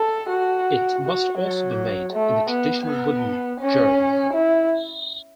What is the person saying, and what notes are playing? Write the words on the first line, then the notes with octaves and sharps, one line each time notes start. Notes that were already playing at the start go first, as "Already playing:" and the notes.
It must also be made in the traditional wooden 'gerle'.
Already playing: A4
F#4
F#4
F#3
A3
B3
B3
C#4
E4